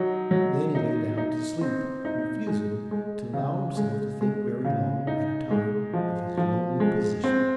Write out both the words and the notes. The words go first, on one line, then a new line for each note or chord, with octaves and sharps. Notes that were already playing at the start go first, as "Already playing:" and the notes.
Then he lay down to sleep, refusing to allow himself to think very long at a time of his lonely position.
Already playing: F#3 D#4
F#3
D#4
D#4
C4
D#4
G#3
G#3
C#3
G#3
G#3
C#3
D#4
G#3
F3
F3
G#3
C4